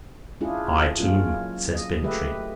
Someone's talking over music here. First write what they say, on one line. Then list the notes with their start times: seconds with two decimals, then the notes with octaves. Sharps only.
"I, too!" says Bintrey.
0.41 G#3 C#4 D4 E4 F4 G#4
0.99 F#3 G#3 A#3 C#4 F4
1.74 D#5
2.03 G#3 A3 G4 B4 D#5 E5